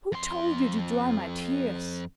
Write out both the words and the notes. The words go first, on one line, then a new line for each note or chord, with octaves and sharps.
Who told you to dry my tears?
F2 C6